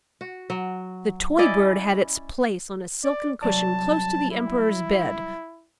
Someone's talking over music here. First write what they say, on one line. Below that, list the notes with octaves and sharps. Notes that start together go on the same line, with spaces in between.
The toy bird had its place on a silken cushion close to the Emperor's bed.
F#4
F#3
C#4 E4 D5 D#5
D5
C2 F#3 D5 A5
E4